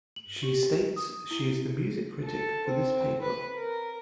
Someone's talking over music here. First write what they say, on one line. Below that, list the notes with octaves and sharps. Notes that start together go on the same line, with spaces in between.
She states she is the music critic for this paper.
F#7
G4
D#6
E4
A4
C4
B4
A#4